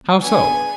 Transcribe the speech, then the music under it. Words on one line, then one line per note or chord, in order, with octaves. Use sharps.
"How so?"
B3 D4 G#4 G#5